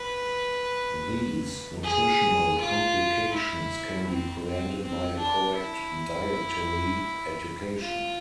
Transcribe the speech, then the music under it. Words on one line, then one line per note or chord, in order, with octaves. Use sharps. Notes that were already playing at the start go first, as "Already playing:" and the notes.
These nutritional complications can be prevented by a correct dietary education.
Already playing: B4
G#4
F4
E4
C4
C4
C4
D4
E4
F4